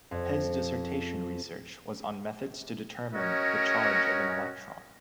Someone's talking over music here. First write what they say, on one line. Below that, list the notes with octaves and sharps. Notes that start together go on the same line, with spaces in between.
His dissertation research was on methods to determine the charge of an electron.
F2
C#4 F#4 A#4 C#5 D#5